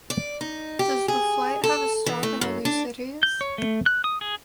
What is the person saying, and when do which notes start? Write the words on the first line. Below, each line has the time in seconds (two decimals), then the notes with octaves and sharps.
Does the flight have a stop in other cities?
0.10 D5
0.41 D#4
0.79 G4
1.08 G#4
1.64 A4
2.06 E3
2.23 A3
2.41 F#2
2.65 D4
3.23 G6
3.41 C#5
3.58 A3
3.86 F#6
4.04 D#6
4.21 G#4